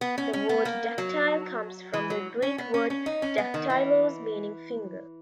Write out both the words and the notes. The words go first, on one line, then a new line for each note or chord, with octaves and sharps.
The word dactyl comes from the Greek word "daktylos" meaning "finger".
B3
C#4
C#4
B3
A#3
F#3
E3
F#3
C#4
B3
C#4
C#4
D#4
C#4
B3
D#3
E3